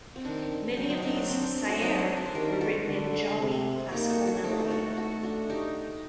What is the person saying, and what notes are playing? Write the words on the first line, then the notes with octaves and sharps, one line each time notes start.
Many of these "syair" were written in Jawi classical Malay.
C4
D#3 D4
F#3 C4
C4 D#4
D4
C4 D#4
D4
C4
D4
D4 F#4
F#3 C4 D#4
D4
D4
C5
D#3 G4 A#4
F#4 A4
D3
C3
A#3 D#4 G4
F#4 A4
D4 F#4
A3 D#4 G4
F#4 A4
F#4 A4
D4 F#4
D#4 G4